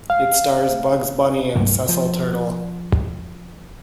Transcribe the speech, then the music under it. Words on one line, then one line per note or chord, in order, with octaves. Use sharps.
It stars Bugs Bunny and Cecil Turtle.
F5
C2 G2 F#3 A3
F3